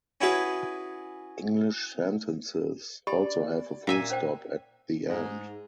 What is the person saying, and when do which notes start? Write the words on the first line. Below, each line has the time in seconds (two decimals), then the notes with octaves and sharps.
English sentences also have a full stop at the end.
0.21 C#4 E4 F#4 G#4 B4
3.07 G4 D5 B5
3.87 A#2 E5 G#5
4.10 C#4 C5 G5
5.09 G#2